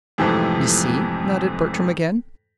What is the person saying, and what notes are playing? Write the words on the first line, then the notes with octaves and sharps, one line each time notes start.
"You see," nodded Bertram again.
F2 G#2 C3 E3 F3 A3